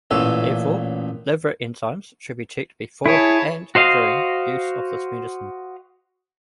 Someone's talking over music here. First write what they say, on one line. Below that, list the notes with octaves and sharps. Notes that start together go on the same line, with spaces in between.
Therefore, liver enzymes should be checked before and during use of this medicine.
A1 A#2 E3 A4 C#5
E4 G#4 C#5 A5
F#4 C5 D#5 F5